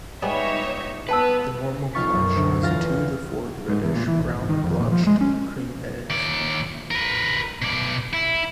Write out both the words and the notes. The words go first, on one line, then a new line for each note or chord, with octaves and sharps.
The normal clutch is two to four reddish brown-blotched cream eggs.
G3 G#3 B3 D#4 C#5 E5
B3 B4 G5 A5 E6
B1 F4 F5 C#6 A6 B6
F#2 F#3
D2
E2 F4 F5 A6 A#6
G#2
E2
A#2
E3
B1
G#1
D#3
F2
A#2
F3
G#3
C#4
D#2 D5
A#4 B4
B2 D5
E4